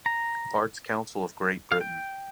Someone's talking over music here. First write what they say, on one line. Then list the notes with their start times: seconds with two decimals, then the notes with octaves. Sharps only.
Arts Council of Great Britain.
0.06 A#5
1.72 F5
1.81 G5